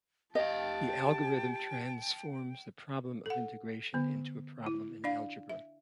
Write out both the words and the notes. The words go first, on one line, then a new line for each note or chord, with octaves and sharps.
The algorithm transforms the problem of integration into a problem in algebra.
G4 D#5 F5 G5 A5
A4 F#5
D3 B3
E4
D4 D5 F5
E5